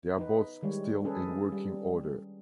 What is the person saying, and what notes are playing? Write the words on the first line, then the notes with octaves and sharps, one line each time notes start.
They are both still in working order.
D#4 B4
D#3 G3 G#3 C#5
C#4 G#4 A4 B4
G3